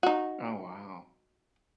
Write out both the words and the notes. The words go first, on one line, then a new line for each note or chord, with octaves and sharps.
Oh, wow.
D#4 F#4